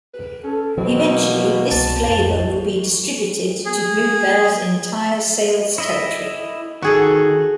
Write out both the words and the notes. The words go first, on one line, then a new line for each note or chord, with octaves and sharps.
Eventually, this flavor would be distributed to Blue Bell's entire sales territory.
B4
C#4 A4
B2 E3 F#3 B3 C4
A#3
C2 B3 A5
A1 F2
G#4
E4 D#5 E5
D#3 F#4 G#4 A4